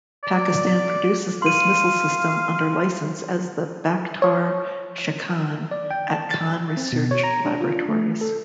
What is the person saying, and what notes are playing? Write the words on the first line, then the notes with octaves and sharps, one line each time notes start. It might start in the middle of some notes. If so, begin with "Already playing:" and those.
Pakistan produces this missile system under licence as the Baktar-Shikan at Khan Research Laboratories.
D5
F5 C6 D#7
C#5
D5
G5
A5
A6
C4
B2
C#5
A#5
D4
F4
A3
A4